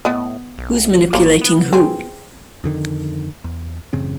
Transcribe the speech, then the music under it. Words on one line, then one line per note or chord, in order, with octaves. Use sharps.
Who's manipulating who?
A2 B3 D#5
B1
G#1 A#3 C5 C#5
B3
C4 G#4
F2 D3 D#3
E2
A1 F#2 C#3 C4